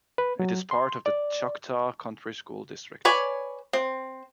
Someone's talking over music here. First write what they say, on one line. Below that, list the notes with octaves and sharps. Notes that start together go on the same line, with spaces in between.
It is part of the Choctaw County School District.
B4
F#3
C6
D5
B4 C#5 D5 G#5
C4